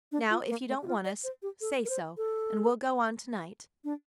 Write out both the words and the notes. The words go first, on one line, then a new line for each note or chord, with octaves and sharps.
Now, if you don't want us, say so, and we'll go on to-night.
D4
F4
A#3
A3
G4
F4
D5
C5
G4
A4
A#4
C5
A4
D4